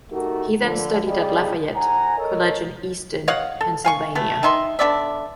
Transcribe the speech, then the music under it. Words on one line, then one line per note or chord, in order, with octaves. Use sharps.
He then studied at Lafayette College in Easton, Pennsylvania.
A3 D#4 F#4 G4 A#4
D3 F3
C2 G3 G#4 D5 D#5 F5
D#2 F#5 G#5 A#5
A4 A#4 C#5 D#5
C#5 D#5 F5 F#5
A4
F5 G#5 C#6
A3 B3
D#3 D#4 E5 C6
D3 B3 D5 E5